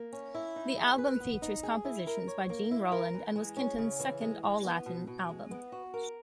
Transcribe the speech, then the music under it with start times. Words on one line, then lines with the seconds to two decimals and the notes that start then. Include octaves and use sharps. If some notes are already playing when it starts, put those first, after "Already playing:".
The album features compositions by Gene Roland, and was Kenton's second all-Latin album.
Already playing: A#3
0.13 C#4
0.34 E4
0.56 D#4
0.77 G#4
0.98 B4
1.20 B3
1.42 D#4
1.63 G#4
1.85 E4
2.07 A#4
2.27 C#5
2.50 A#3
2.71 E4
2.92 A#4
3.14 E3
3.36 G#3
3.57 C#4
3.78 C#3
4.00 E3
4.21 G#3
4.44 G#3
4.65 B3
4.86 B2
5.07 B2
5.29 G#3
5.51 B3
5.72 F#4
5.94 A#4